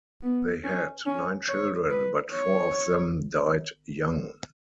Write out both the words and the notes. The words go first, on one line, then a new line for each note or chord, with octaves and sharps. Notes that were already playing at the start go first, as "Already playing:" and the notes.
They had nine children but four of them died young.
B3
C#4
C#4
C#5
B4
C#5